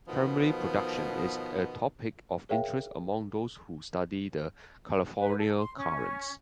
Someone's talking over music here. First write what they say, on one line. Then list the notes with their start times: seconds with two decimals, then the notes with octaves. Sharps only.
Primary production is a topic of interest among those who study the California Current.
0.07 B2 D#3 F3 B3
2.49 G#4 A#4 C#5 E5 F5 G5
5.18 B4
5.37 A4
5.55 C6
5.76 C#4